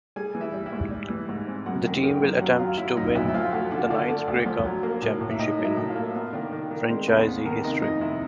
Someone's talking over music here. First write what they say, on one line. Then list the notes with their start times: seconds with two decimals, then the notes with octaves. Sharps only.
The team will attempt to win the ninth Grey Cup championship in franchise history.
0.16 G3 G#4 G#5
0.35 E3
0.41 E4 E5
0.54 G3
0.66 E4 E5
0.73 G#2
0.91 G3
1.10 E3
1.29 G#2
1.47 C4
1.66 F#2 F#4 F#5
1.85 D#3
2.03 D#3 G4 G5
2.22 F#2
2.35 F5
2.41 F#3 F#4 F#5
2.59 F#3 F4 F5
2.77 F#3 E4 E5
2.97 F#2 D#4 D#5
3.15 D2 E4 E5
3.28 E5
3.34 F3 F4 F5
3.52 A3 F#4 F#5
3.71 D3 F#4 F#5
3.90 D3 D4 D5
4.09 A3
4.28 D2
4.46 F3
4.65 F#3
4.83 A#3
5.02 A2
5.20 A2
5.30 E5
5.39 A2 D#4 D#5
5.59 F#3
5.64 E4 E5
5.77 A2
5.89 F4 F5
5.96 A#3
6.15 B3 F4 F5
6.33 D#3 D4 D5
6.52 D#3
6.71 D#3
6.89 G#3 C4 C5
7.07 D#2 B3 B4
7.27 B3
7.45 D#3 A#3 A#4
7.64 C3 D#4 D#5
7.82 F2 D#4 D#5
8.01 C3 E4 E5